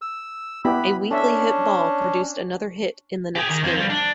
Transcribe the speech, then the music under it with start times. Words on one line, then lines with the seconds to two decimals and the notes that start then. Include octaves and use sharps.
A weakly hit ball produced another hit in the next game.
0.02 E6
0.65 B3 E4 G4 B5
1.11 C#4 D4 A4 E5
3.36 G4 G#4
3.49 D#3
3.63 F2
3.75 F3 G3
3.90 D4